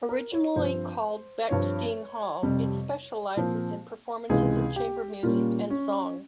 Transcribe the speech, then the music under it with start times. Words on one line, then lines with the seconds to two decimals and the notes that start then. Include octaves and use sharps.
Originally called Bechstein Hall, it specialises in performances of chamber music and song.
0.09 A#4
0.32 C#5
0.56 G2 F3 C4 C5
1.49 G2 F3 C4 C#5
2.43 F2 C3 G3
3.36 A#2 F3 C4
4.30 C#2 C3 E3 G#3 G#4
4.76 G4
5.23 A#2 G3 A#3 C#4 F4
5.70 C#4